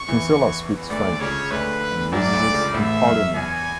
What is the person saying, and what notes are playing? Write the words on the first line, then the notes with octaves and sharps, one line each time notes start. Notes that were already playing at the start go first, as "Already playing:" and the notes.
Kinsella speaks French, and uses it in parliament.
Already playing: C#6
E2 E3
D2 D3 D5
D3
C#2 C#3 C#5
D2 D3 B4
F#2 F#3 D5
D2 D3
C#2 C#3
A1 A2 E5
F#2
E2 G#5